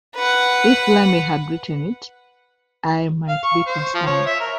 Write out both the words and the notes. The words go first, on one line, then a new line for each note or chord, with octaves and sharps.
If Lemmy had written it, I might be concerned.
B4 F#5
F5
C#6
C5
F3
C#5
E5
A#4